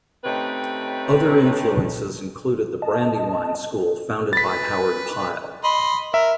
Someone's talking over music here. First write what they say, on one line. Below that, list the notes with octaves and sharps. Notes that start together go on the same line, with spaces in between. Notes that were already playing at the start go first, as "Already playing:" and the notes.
Other influences included the Brandywine School founded by Howard Pyle.
A3 C4 C#4 D#4 G4 B4
D#5 A5
B4 A6 B6
D#5 B5 C6
A#4 E5